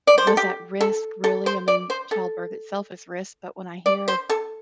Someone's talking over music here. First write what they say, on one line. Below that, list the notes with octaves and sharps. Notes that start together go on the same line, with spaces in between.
was at risk, really. I mean, childbirth itself is risk, but when I hear
D5
C5
A4
G4
A4
A4
C5
D5
C5
A4
D5
C5
A4